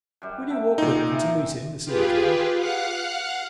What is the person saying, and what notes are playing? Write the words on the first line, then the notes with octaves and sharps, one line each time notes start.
"Will you walk with me to meet him this evening?"
F#2 G3
E5 G5 A5
A#2 C4 D#4
E3
F4 G4 G#4 B4
F5 F#5 F#6